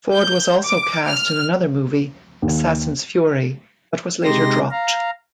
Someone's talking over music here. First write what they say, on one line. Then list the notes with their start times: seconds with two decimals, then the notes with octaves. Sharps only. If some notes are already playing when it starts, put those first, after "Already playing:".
Ford was also cast in another movie, "Assassin's Fury", but was later dropped.
0.14 G6
0.65 D6
1.07 F6
2.42 D#2
4.24 C3 G#3 D#4 G4 C6 A#6
4.71 F5 A#5